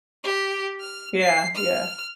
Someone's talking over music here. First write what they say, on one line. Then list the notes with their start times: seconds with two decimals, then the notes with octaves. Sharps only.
Yeah, yeah.
0.24 G4
0.80 F6
1.20 C7
1.55 F6